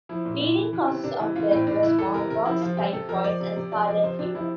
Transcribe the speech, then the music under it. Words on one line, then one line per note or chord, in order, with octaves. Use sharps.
Leading causes of death were smallpox, typhoid, and scarlet fever.
F3 E4
A#2
A#2
E3
E3
C3 C4
C3 D4
E3
E3 F4
A2 C4
A2 D4
E3 E4
E3 A4
C3 A#4
C3 A#4
F3 E4
F3 F4
C3 G4
C3 A4
F3 A#4
F3 D5
C3
C3
F3 D5
F3 D5
C3 C5
C3 D4
F3 E4